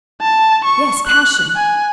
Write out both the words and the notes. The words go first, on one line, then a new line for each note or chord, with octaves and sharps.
Yes, passion.
A5
C#6
F#6
G#5